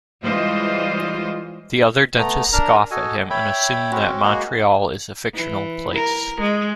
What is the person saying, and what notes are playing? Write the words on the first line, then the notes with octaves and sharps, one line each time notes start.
The other dentists scoff at him and assume that Montreal is a fictional place.
E3 G3 G#3 F4 C5 D#5
A3 B3 A#5
D4 A#4 A#5
F#4 A4 D#5 G#5
C#5 E5 G5 B5
C4 C#4 F#4
G#3 A#3 F#4
E3
A#4
G#3